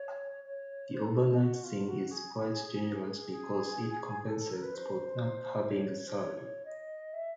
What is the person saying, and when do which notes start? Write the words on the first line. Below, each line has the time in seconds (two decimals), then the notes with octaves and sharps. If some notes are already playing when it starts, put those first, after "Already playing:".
The overnight thing is quite generous because it compensates for not having a salary.
Already playing: C#5
0.44 C#5
0.93 C5
1.04 A4
1.40 F#4
1.64 F4
1.87 F#4
2.11 G#4
3.31 G#4
4.27 A4
4.39 A4
4.51 A#4
4.63 B4
4.74 C5
5.70 C#5
6.07 C5
6.17 C#5
6.41 C#5
6.65 D#5
7.13 E5